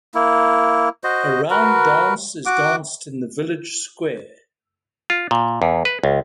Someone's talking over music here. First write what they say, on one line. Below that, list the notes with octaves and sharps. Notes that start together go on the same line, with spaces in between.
A round dance is danced in the village square.
A#3 E4
F#4 C5 D#5
F#4 A#4 B4
F#4 F#5 D6
F4
A#2
E2
B4
C#2